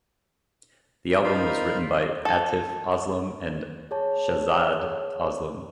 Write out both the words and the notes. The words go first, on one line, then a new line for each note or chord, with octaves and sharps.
The album was written by Atif Aslam and Shahzad Aslam.
D#4 F4 A#4 C5 B5
A4
G#4 C#5 A5